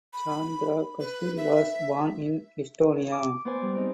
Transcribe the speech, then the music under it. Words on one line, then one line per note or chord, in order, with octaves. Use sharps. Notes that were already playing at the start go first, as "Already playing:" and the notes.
Sandra Kasturi was born in Estonia.
B5
B4
E5
D6
B3 C5 D5 G#5
G3
C4 D#4 G#4